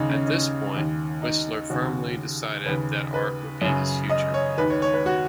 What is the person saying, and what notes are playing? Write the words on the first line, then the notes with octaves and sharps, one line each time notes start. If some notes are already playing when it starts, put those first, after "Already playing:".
At this point, Whistler firmly decided that art would be his future.
Already playing: D#2 C#3 D#4
C#4
D#4
D#2 D#3
D#4
D#2 C#3 F#4
D#2 C#3 B4
B4
F#2 C#3
D#5
C#5
D#2 D#3 B4
C#5
C#5
B4
F#4